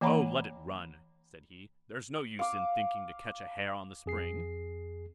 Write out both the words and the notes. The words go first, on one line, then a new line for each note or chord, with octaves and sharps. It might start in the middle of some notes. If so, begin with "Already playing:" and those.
'Oh, let it run', said he; 'there's no use in thinking to catch a hare on the spring.'
E3 A#3 C#5 F#5 A#5 B5
F5 D6
F2 G#4 C7